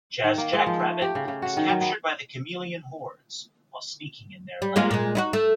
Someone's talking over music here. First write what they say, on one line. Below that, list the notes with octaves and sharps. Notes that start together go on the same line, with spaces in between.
Jazz Jackrabbit is captured by the chameleon hordes while sneaking in their land.
D#3
A#3
G#3
F3
A3
G4
C#3
C#3
F#4
D#3
F#3
B3
G3
G#3 A#3 F4
A#2 G#3
D#4 E4 F#4
A3